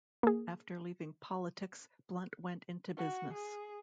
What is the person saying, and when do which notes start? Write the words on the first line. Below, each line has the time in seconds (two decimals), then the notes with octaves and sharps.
After leaving politics Blunt went into business.
0.23 A#3 G#4
2.97 F#4
3.33 G#4